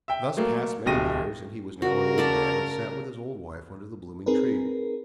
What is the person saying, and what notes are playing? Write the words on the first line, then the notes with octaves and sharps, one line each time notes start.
Thus passed many years, and he was now an old man, and sat with his old wife under the blooming tree.
E5 G5
F#3 A3 A#3
D1 B2 G4 A#6 D#7
C#3 F#4 A#4
A3 D5 A5
C4 D#4 G#4 A#4 B4